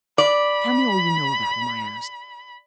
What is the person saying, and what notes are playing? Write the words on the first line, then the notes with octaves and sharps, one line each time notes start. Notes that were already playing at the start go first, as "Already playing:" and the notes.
"Tell me all you know about him?" I asked.
D5 B5